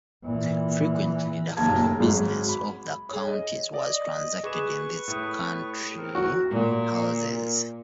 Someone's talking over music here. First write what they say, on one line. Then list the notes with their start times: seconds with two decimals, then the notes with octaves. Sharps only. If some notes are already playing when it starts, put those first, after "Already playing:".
Frequently, the formal business of the counties was transacted in these country houses.
0.24 A#2 E3
1.57 F#1 D#2 A#3 A5 A#5 G#6
1.84 G#4
2.00 G#1 F#3 G#4
2.49 B5
3.09 G#4 C#5
3.28 D#5
3.74 D5 D#5
4.44 G#4 B4 C#6 D6 E7
5.08 A2 D#6
5.97 C4 A#4
6.15 F#4
6.50 A#2